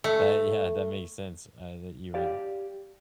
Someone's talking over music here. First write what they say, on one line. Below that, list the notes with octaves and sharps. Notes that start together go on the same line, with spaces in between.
that yeah, that makes sense, uh, that you would
A3
G4 D5 F5